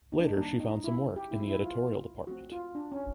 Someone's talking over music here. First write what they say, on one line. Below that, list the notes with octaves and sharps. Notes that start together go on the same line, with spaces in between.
Later she found some work in the editorial department.
D#4
D4
D#4
D#3 G3 A#3 D4
D#4
E4
G4
F#3 A3 C4 E4
E4
F4
F3 A3 C4 F#4
F4
D4
C#4